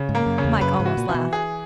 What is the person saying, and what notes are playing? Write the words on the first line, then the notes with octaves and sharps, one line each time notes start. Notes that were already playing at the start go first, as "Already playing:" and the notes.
Mike almost laughed.
Already playing: C#3
G#2
A#3
F#2
C#3
E2
F#2 B4
G#2
F#4
A#2
C#3 E3
B2
G#4